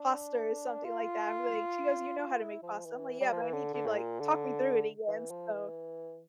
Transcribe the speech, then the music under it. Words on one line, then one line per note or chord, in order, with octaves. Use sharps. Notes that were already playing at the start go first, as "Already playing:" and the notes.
pasta or something like that?" I'm like she goes, "You know how to make pasta." I'm, like, "Yeah, but I need you, like talk me through it again." So,
Already playing: D4
F4
F4
E4
F3
E3
G3
F3
E3
D3
D3
A2
A#2
D3
E3
F3
E3